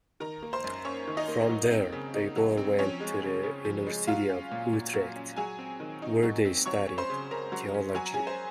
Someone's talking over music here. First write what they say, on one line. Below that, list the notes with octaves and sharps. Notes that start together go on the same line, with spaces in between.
From there, they both went to the University of Utrecht where they studied theology.
D#3 A#4 A#5
A#3
C5 C6
F#2
C#4 C#5 C#6
D#3
D#4 D#5
A#3
F#3
C4
C#3
D#4
F#3
C4
F3 C#4 C#5
G#3
C#3
C#3
F3
G#3
F#3 F4 F5
C#4
A#2
A#2
F#3
C#4
F#3 G#4 G#5
C4
D#3
D#4
F#3
C4
F#3 C#5 C#6
C#4
C5 C6
C#3
C#3 A#4 A#5
F#3
C#4
F#3 G#5
A#5
C#4 G#4 G#5
C5